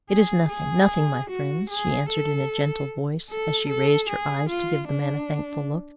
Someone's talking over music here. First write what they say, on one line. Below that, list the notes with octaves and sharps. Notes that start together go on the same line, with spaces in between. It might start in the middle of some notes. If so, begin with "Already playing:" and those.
"It is nothing, nothing, my friends," she answered in a gentle voice, as she raised her eyes to give the man a thankful look.
G#4
G#4
F#4
G#4
A4
A4
A4
G#4
F4
D4